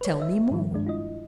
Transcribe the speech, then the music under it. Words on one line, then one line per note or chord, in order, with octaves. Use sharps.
Tell me more.
B4 C#5
D#5 E5
G#2 D#3 F3 G3
G2 G#3 D4
E4 F4 D#5